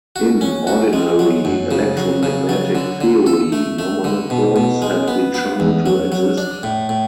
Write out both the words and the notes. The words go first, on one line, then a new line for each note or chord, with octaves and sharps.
In ordinary electromagnetic theory, no monopoles have been shown to exist.
F#4
C#4
F#4
G#3
F#3
F#2
C#3
F#3
C#3
F#3
D3
D3
A4
A3
A3
D3
B2
B2
G#3
B3
B3
E2
F#3
F#3
D4
A2
A2